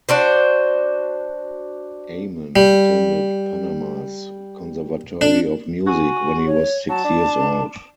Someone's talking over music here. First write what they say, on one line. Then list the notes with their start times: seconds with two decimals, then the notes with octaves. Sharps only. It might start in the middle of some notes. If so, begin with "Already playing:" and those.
Amen attended Panama's Conservatory of Music when he was six years old.
0.09 D4 F#4 C5
2.56 G3
5.21 D4
5.87 F#4 G#5
6.47 C#5
6.89 F#3 A5
7.04 D4